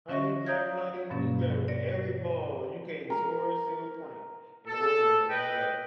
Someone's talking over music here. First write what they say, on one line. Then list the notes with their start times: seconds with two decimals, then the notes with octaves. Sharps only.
how are you grabbing all the you're grabbing every ball, but you can't score a single point. You know what? We're gonna let that one go.
0.09 D3 C#4 D#5 E5 C#6 A#6
0.47 D5 F5 A#5 D#6 G6 G#6
1.10 G2 B2 F3 A#3 C#4
1.68 C#5 D5 A#6
3.10 A#4
4.66 A4
5.28 B4 D#5 G5